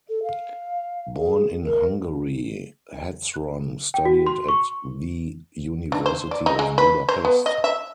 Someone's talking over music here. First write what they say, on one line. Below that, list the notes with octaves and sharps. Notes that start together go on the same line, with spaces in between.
Born in Hungary, Hetzron studied at the University of Budapest.
A4
F5
G#4
A#4
G5
F#4
C6
C#6
D4
C5
D5
D#4
G#3
B4
C5
B3
D#5
E5